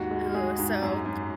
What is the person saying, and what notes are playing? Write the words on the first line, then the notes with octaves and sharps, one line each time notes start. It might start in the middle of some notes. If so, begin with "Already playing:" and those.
Ooh, so,
Already playing: D#2 G#2 F#4
G#3
G#3 G#4
G#2
F#2
F#2